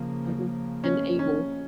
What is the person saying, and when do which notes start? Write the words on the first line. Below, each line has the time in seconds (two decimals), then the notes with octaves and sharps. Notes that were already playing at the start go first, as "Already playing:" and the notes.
Mhm, and able.
Already playing: C#3 F3 A#3
0.84 C#4
1.19 C#4